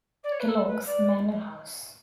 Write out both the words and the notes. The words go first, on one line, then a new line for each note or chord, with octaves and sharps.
Kellogg's Manor House.
D5
C#5
B4
A4
B4
D5